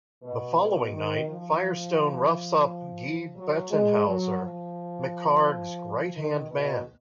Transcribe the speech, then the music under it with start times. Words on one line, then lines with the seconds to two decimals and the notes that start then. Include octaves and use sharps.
The following night, Firestone roughs up Guy Bettenhauser, McCarg's right-hand man.
0.22 B2
0.57 B2
0.92 D#3
1.26 F3
3.35 F#3
3.70 G#3
4.05 F#3
4.40 F3
6.14 D#3
6.48 B2